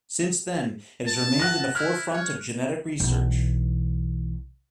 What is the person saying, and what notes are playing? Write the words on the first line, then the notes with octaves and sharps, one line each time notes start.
Since then, it has remained in the forefront of genetic research.
A5
F#5 F#6 A#6
E4 F6
C#5
B1 E3